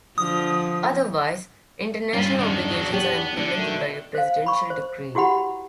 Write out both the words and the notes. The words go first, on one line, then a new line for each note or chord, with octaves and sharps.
Otherwise, international obligations are implemented by a presidential decree.
D3 F3 D#6
G2 C#4 F4 B4
E2 D#3 D4
G2 F#3
B3 G4 C#5
D3 D4
B2 D#3 A3
C5 F5
B5 C#6
C5
E4 F#4 G4 F#5 B5